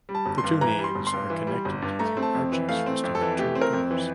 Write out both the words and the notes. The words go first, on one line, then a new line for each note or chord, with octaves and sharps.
The two naves are connected through arches rested on two pillars.
G3
A5
G1
C6
G2
E3 A#5
G3
C6
G1
C6
G2
E3
G3
G1
G2
A3 A#5
C4
A5
F2
E3
A3 F5
C4
F2
A4
E3
A3 G4
C4
A#4
F2
E3